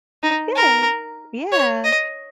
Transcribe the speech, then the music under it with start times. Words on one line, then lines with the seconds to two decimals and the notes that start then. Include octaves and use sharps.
Good. Yeah,
0.23 D#4
0.56 A#4
1.52 C#5
1.84 D#5